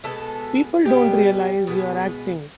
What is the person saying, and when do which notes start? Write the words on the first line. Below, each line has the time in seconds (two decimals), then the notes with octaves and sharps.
People don't realize you're acting.
0.04 B2 G#3 A3 B3 A4
0.85 B2 G3 G#3 B3 G4
1.67 B2 G#3 B3